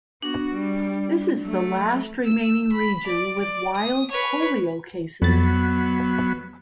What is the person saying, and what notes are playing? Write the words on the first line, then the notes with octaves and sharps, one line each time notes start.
This is the last remaining region with wild polio cases.
B3 D4 F#4
G3
F#3 A3
E6
B5
D5
D5
D#6
B4 C#5
F2 F#3 B3 A6